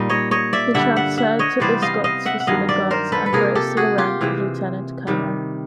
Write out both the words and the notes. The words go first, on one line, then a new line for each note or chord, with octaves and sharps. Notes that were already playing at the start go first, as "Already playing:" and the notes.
He transferred to the Scots Fusilier Guards and rose to the rank of Lieutenant-Colonel.
Already playing: A#2 G3 A#3 D#4
C#5 D#5
C#5 D#5
D5 E5
G2 D3 G3 E5 F#5
E5 F#5
E5 F#5
C#5 D#5
C3 E3 G3 B3 C5 D5
D#5 F5
D#5 F5
E5 F#5
F#5
G2 D#3 F#3 D#5 F5
D5 E5
A#4 C5
A4 B4
B4
C3 F3 A#3 G#4 A#4
G4 A4
F#4 G#4
F4 G4
C3 E3 G#3 C4
C3 D#3 G3